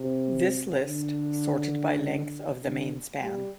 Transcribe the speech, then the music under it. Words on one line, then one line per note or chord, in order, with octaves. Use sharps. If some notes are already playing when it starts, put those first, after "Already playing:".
This list sorted by length of the main span.
Already playing: C3
D3
D3
G3